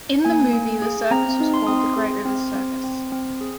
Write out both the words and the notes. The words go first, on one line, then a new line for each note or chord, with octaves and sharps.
In the movie the circus was called the Great Rivers Circus.
A#3 G#5
A#3
G#4
C4 A#5
D#4
C6
C4 D#6
C6
G#4
C4
C4
C4
C4
G#4